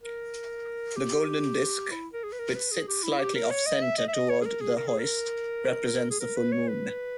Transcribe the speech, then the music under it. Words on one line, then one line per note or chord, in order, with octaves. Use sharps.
The golden disk, which sits slightly off-centre toward the hoist, represents the full moon.
A#4
G4
E4
A#4
G#4
B4
A#4
B4
G#4
G4
E4
G4
A#4
C#5
D#5
E5
D#5
E5
D#5
C#5
G#4
A#4
G#4
A#4
G#4
A#4
G#4
A#4
B4
C#5
B4